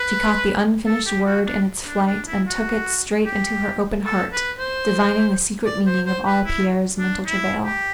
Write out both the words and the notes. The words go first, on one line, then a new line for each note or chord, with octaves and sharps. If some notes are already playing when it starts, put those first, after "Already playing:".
She caught the unfinished word in its flight and took it straight into her open heart, divining the secret meaning of all Pierre's mental travail.
Already playing: B4
A4
G4
F#4
D4
D4
D4
E4
F#4
G4
A4
B4
C5
D5
C5
C5
B4
E4
D4
E4
G4